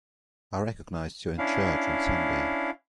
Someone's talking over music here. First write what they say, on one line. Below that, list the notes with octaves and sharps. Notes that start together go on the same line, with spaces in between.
I recognized you in church on Sunday.
C#4 D4 E4 F5